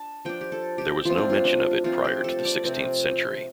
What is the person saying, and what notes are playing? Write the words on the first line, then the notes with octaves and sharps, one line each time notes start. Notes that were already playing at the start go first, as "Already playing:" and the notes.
There was no mention of it prior to the sixteenth century.
Already playing: D4 A5
F3 D4 G5
G4
A4
G4
F3 A3 C4 F4
D4
F4
D4
F3 A3 C4 F4
G4
A4
D5
C3 F3 C4